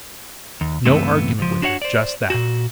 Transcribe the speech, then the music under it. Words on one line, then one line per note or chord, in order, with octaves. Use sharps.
No argument with her--just that.
D#2
C#2 G2 E3 A3 B3 C4
C#2 F3
D4 F#4 C#5 F5 F#5
C5 D5
A#2 F#4